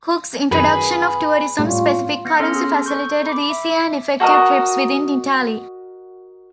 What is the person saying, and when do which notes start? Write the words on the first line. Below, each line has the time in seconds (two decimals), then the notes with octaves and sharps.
Cook's introduction of tourism-specific currency facilitated easier and effective trips within Italy.
0.51 F#2 D#3 G#4 B4
1.59 A2 G3 C#4 F4
2.25 B3 A#6 C#7
2.39 C#4 A4 C6 E6 F6
2.56 G#4
2.86 A4 C#6 G6
3.25 B5 D6
3.50 E5
4.20 F#4 A4 A#4 D#5